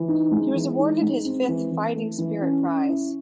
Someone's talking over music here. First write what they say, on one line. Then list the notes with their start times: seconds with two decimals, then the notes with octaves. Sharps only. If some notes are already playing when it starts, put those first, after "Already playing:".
He was awarded his fifth Fighting Spirit prize.
Already playing: E3
0.08 D#4
0.31 G#3
0.55 E3
0.78 D#4
1.01 G#3
1.25 C4
1.48 E3
1.71 E3
1.95 A3
2.18 E3
2.41 C#4
2.65 C#4
2.88 E4